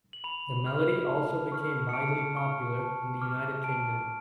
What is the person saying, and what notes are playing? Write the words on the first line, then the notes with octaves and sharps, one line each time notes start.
The melody also became widely popular in the United Kingdom.
F#7
B5 F7
F6
A5
C#6 F6
C#7
A5 D7
C#6 F6
A5
D6 F6
A5 D7